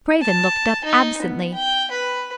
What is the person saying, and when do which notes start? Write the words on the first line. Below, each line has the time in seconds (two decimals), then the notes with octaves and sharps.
Craven looked up absently.
0.22 A5
0.85 D#4
1.22 B3
1.54 G5
1.91 B4